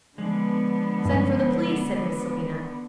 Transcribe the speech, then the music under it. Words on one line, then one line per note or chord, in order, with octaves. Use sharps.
'Send for the police,' said Miss Selina.
D3 F3 G#3 B3
G2